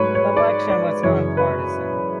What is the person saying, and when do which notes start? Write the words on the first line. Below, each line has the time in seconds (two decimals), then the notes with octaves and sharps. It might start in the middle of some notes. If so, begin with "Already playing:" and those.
The election was nonpartisan.
Already playing: G#2 F#3 A3 B4 C#5
0.15 C#5
0.37 D5
0.70 D5
1.03 F#2 C#3 E3 C#5
1.37 B4